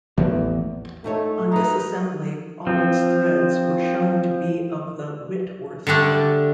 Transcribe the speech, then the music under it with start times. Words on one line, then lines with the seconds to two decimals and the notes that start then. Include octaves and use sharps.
On disassembly, all its threads were shown to be of the Whitworth type.
0.17 A1 E2 E3 F3 A#3
1.04 A#2 A3 D#4 C#5
1.52 F#3 D#4 B4
2.67 F3 C4
5.87 D3 G3 A3 D4